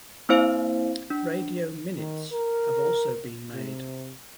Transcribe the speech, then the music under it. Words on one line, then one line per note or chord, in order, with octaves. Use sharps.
"Radio minutes" have also been made.
A#3 C4 E4 C5 F5
D4
D#3
A#4
C3